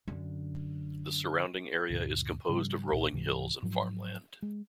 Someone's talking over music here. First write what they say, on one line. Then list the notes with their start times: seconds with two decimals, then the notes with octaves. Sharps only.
The surrounding area is composed of rolling hills and farmland.
0.08 F#2 D3
1.90 D2 G2 A#2 D3
2.49 G#2 C#3 F3 G3
2.92 C2 A#2
3.13 C#2 G#2 C3 E3
3.62 G#2 F3 F#3
4.42 G#3